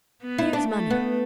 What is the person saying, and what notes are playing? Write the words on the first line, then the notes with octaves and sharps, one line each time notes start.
Here is money.
B3
E4
D4
A3
B3